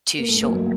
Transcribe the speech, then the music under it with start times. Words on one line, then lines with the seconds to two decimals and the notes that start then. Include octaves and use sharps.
too sure,
0.19 A#3
0.28 G2 A3
0.42 A#3
0.49 F#3
0.55 A#3